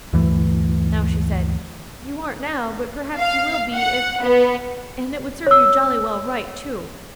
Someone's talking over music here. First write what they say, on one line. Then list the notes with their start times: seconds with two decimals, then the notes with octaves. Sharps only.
Now she said-- 'You aren't now, but perhaps you will be, if--And it would serve you jolly well right, too.'
0.13 D2 G2 E3 A3
3.18 F5
3.74 F#5
4.23 B3
5.47 C#5 E6